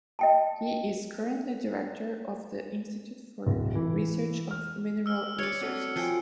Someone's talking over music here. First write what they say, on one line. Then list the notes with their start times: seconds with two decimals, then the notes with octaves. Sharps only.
He is currently director of the institute for research of mineral resources.
0.19 D#5 G5 A5
3.47 D1
3.75 E3
4.51 F6
5.06 E6 F6
5.38 C#5 D5 F6 C#7
5.61 C4 F#4 A4
5.96 F3 F#4 G5 G#5